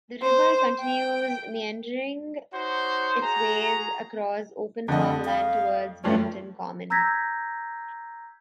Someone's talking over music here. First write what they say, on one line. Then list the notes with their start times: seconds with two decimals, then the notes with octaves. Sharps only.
The river continues meandering its way across open farmland towards Brimpton Common.
0.22 C5
0.81 G5
2.53 D#4 F#4 C5 C#5
3.22 F#4 G#4 A#5
4.88 F2 D3 A3 D#5
5.25 F5
6.04 G2 F3 A3 C#4
6.90 A#5 E6 G6 G#6 A#6 B6